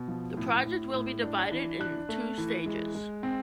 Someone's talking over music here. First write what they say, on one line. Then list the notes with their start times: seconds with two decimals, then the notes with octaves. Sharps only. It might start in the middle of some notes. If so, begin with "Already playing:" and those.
The project will be divided in two stages.
Already playing: B2
0.08 F3
0.37 A2
0.65 A2
0.94 A2
1.23 D4
1.51 E3
1.80 D4 F#6
2.09 A3
2.38 E3
2.66 G#3
2.95 G#3
3.23 C4